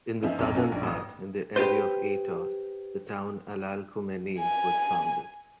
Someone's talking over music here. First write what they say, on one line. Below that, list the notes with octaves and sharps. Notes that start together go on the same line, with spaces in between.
In the southern part, in the area of Aetos, the town Alalcomenae was founded.
F3 B3 C#4 D#4 E4
B1 F#2 A2 C3
C#4 F4 F#4 A4 A#4
A#1 D4
A1 D#6
G4 B4 C5
G#5